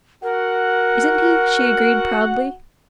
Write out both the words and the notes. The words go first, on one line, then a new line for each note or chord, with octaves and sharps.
"Isn't he?" she agreed proudly.
F#4 A#4 F#5